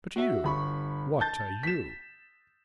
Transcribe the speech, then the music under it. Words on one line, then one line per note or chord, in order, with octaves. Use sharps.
But you--what are you.'
F#4 E5
G1 B5 C#6
A5 G6 A6
B6 E7